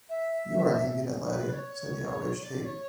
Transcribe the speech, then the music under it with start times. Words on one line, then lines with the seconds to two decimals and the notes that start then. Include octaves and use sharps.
"You're an impudent laddie," said the outraged Haight.
0.09 E5
1.25 B4
1.49 D5
1.53 C#5
2.42 D5
2.65 C#5